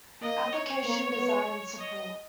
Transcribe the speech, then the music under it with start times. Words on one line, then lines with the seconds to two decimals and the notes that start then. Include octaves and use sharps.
Application, design and support.
0.22 A#3 D#5
0.53 C#5
0.85 A#3
1.16 B3
1.79 D#5